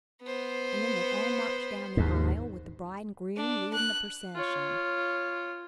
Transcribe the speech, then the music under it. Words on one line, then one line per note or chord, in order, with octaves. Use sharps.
And then they all marched down the aisle, with the bride and groom leadin' the procession.
B3 C5
D#2 G#2
D4
F#6
F4 C#5